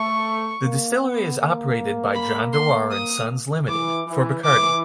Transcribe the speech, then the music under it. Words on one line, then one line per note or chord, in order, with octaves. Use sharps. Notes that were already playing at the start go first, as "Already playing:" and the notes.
The distillery is operated by John Dewar and Sons Limited for Bacardi.
Already playing: A3 C#6
A#3
B3
A#3
B5
C6
D#6
E3 D6
E3
E3 D6